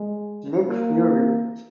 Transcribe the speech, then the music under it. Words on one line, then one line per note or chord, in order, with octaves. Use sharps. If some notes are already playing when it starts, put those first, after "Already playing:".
Nick Fury.
Already playing: G#3
A#3